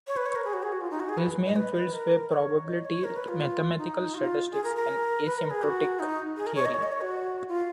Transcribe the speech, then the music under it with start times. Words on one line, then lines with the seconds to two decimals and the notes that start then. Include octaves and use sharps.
His main fields were probability, mathematical statistics, and asymptotic theory.
0.07 C#5
0.17 B4
0.26 C#5
0.35 A#4
0.45 G#4
0.53 F#4
0.63 G#4
0.72 F#4
0.81 F4
0.91 D#4
1.00 F#4
1.09 G#4
1.18 B4
1.46 D#5
1.56 B4
1.74 B4
1.93 A#4
2.30 C#5
2.67 D#5
2.85 C#5
3.04 A#4
3.16 B4
3.28 F4
3.78 D#4
4.14 F#4
4.18 F4
4.51 G#4
4.64 A#4
4.76 A#4
5.26 B4
5.38 A#4
5.50 G#4
5.63 F#4
5.99 D#4
6.37 G#4
6.46 A#4
6.55 C#5
6.65 D#5
6.74 C#5
6.83 D#5
6.92 C#5
7.02 F#4
7.48 F4